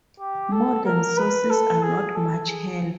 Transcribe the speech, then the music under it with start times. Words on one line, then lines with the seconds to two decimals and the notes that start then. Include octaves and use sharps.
Modern sources are not much help.
0.19 G4
0.52 A4
0.85 A#4
1.17 B4
1.50 A4
1.83 G#4
2.15 A4
2.48 G#4